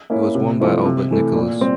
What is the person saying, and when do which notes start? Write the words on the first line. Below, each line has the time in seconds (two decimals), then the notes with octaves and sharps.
It was won by Albert Nicholas.
0.10 A#3 C#4 E4
0.35 C3
0.60 F3 A3 C4 E4
0.85 C3
1.11 E3 A3
1.35 A#2
1.61 G3 C4